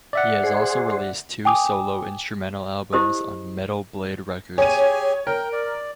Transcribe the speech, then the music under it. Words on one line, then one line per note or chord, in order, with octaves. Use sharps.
He has also released two solo instrumental albums on Metal Blade Records.
D5 E5 F#5
G#4 C5
G5 G#5 D6 D#6
E4 G4 C5 D#5 D#6
G4 G#4 C#5 G#5 D#7
A#4 G5
D5